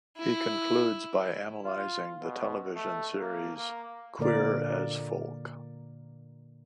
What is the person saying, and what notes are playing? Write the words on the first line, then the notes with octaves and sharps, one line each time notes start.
He concludes by analysing the television series "Queer as Folk".
E4
F4
B2
A3
A#3
A#3
A#2 D3 A#3 A#4 D5